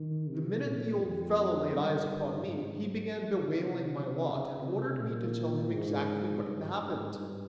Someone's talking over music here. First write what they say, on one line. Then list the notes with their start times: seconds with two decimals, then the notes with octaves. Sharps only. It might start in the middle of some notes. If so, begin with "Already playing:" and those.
The minute the old fellow laid eyes upon me, he began bewailing my lot and ordered me to tell him exactly what had happened.
Already playing: D#3
0.29 C3
0.65 A#2
1.01 F2
1.73 G2
2.46 G#2
3.54 C3
4.26 C#3
4.62 C3
4.99 A#2
5.71 G#2
6.44 G2
6.80 G#2
7.16 G2